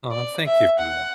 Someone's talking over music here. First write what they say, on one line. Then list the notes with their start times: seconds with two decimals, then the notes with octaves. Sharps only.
Aw, thank you for that.
0.11 D5
0.45 E5
0.79 F#5